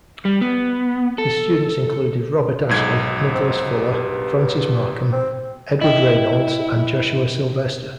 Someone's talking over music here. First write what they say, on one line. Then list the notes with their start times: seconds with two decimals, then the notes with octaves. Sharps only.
His students included Robert Ashley, Nicholas Fuller, Francis Markham, Edward Reynolds and Josuah Sylvester.
0.25 G3
0.41 B3
1.18 A4
2.69 B1 G#2 G#6
3.34 C4
3.70 G2
5.12 C4
5.81 E4 D#5 G5